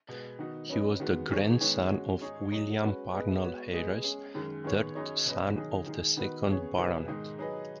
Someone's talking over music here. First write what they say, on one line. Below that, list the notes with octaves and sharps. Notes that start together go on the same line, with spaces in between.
He was grandson of William Parnell-Hayres, third son of the second Baronet.
B2 G#3 B3
D#3 B3 D#4 F#4
F#3 C#4 B4 D#5
D#3 G#3 B3 F#4
D#3 B3 G#4 C#5
G#2 D#3 B3 G#4 C#5
G#3 C#4 F#4
G#2 G#3 D#4 G#4 C#5
F#3 D#4 G#4 D#5
G#3 C#4 F#4 B4
G#3 B3 G#4 B4 D#5
G#3 B3 F#4 C#5
G#3 B3 G#4 D#5
G#3 C#4 G#4
F#2 D#3 G#3
D#3 B3 G#4 C#5
F#2 F#3 D#4 G#4 C#5
B2 F#3 C#4 B4 D#5
D#3 F#3 D#4 G#4 D#5
D#3 G#3 D#4 G#4
D#3 B3 D#4 F#4 B4
C#3 B3 G#4 C#5
B2 B3 D#4 G#4 B4
G#2 D#3 G#3 D#4
F#3 D#4 G#4 B4 D#5